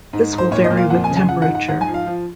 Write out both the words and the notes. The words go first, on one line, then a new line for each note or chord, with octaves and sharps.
This will vary with temperature.
G#2
G#2
C5
A#2 C#5
D#5
A#2
F5
F2 F#5
G#5
C#3
G#5
F3 F#5
F#5
G#2
F#5
G#2 F#5
G#5
F3
F5
F3